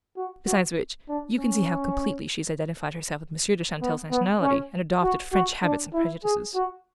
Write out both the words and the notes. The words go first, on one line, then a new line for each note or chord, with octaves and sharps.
Besides which, you can see how completely she has identified herself with Monsieur de Chantelle's nationality and adopted French habits and prejudices.
F#4
F#4
D4
C#4
B3
B3
C#4
F#4
F#4
D4
E4
G#4
F#4